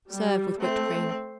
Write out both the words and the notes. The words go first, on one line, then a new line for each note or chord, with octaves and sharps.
Serve with whipped cream.
G3
A3 C4